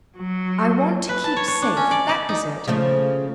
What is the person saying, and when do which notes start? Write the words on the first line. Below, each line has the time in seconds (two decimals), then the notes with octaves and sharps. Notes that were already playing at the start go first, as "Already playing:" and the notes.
'I want to keep safe.' That was it.
0.18 F#3
1.09 B4
1.24 A5
1.36 C#5
1.48 C#5
1.62 D4
1.77 C#4
1.91 D5
2.09 D5
2.29 D#4
2.68 C#3 F3 A3